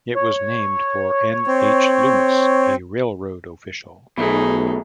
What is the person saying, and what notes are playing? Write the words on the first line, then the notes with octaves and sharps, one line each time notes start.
It was named for N. H. Loomis, a railroad official.
C#5
C4
B1 B2 A3 D#4 G#4